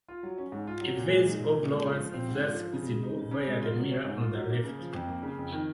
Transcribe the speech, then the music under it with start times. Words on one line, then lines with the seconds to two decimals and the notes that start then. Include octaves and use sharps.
A vase of lowers is thus visible via the mirror on the left.
0.08 F4
0.23 F#3
0.38 C#4
0.52 G#2
0.67 F4
0.81 F#3
0.96 A#2
1.10 G#3
1.25 D#4
1.40 A#2
1.56 A#2
1.70 G#3
1.85 F4
1.99 F3
2.14 C4
2.28 G#2
2.44 F4
2.58 F3
2.73 C#3
2.87 G#3
3.03 D#4
3.17 C#3
3.31 C#3
3.46 G#3
3.62 F4
3.76 F#3
3.91 C#4
4.05 G#2
4.21 F4
4.35 F#3
4.50 A#3
4.64 C#3
4.79 F3
4.94 F2
5.08 A#3
5.23 C#3
5.38 F2
5.53 D#3